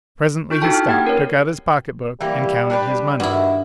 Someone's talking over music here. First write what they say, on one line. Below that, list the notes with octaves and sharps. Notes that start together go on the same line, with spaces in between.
Presently he stopped, took out his pocket book and counted his money.
D#4 F4 C#6 G6 D7
D4 D#4 F#4 A4 G5 A5
E4 F6
A#3 D#4 G4 F#5 G5 G#6
C#4 A#4 B4 C#5
E3 G3 A#3 G4
D4 G4 B4
G2 D#3 E4 F#4